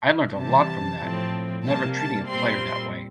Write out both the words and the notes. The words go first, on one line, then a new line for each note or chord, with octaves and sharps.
I learned a lot from that, never treating a player that way.
C3 E3 G3 A5
A2 F3 C4
C3 G3 A#3 A5
A5
A#2 G3 C4 C6